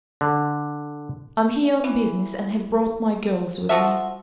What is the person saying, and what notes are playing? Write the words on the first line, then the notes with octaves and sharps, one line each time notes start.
I'm here on business and have brought my girls with me.
D3
E3
F3 F#4 A4 E5